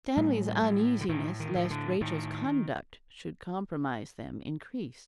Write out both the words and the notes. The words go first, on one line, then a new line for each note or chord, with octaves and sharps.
Stanley's uneasiness lest Rachel's conduct should compromise them increased.
A2 G3
A2
D3
A2 D#3
D#3
A2
D#3
D3
A2 D#3